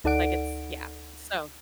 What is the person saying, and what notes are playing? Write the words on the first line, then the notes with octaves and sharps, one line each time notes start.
like it's, yeah, so
D2 D#4 A4 D5 F#5 D7